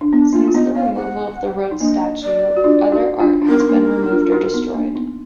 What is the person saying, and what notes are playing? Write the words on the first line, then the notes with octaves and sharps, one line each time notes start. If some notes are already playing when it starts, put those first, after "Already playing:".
Since the removal of the Rhodes statue, other art has been removed or destroyed.
D4
B3 D4
A#3 D4 F4
F4
B3 D#4 D#5
B3 F5
F#5
D#4
A#3 D4 D#5
D5
F#4
D4 F4
D#4 F#4
D4 F4
D4
B3 D#4 A#4
D#4
A#3 D4
D#4
D4 F4
F4
D#4 F#4
B3 D#4
A#3 D4
B3 D#4